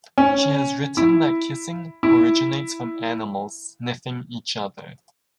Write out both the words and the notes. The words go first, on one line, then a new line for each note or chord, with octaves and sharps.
She has written that kissing originates from animals sniffing each other.
C#4
E4
E4